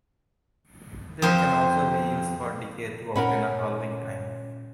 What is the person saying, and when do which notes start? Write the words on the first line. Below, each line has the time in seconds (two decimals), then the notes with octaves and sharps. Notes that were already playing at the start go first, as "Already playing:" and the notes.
They can also be used for decay to obtain a halving time.
1.22 F2 C5
3.16 A#2 C#4 A#4 F#5 B5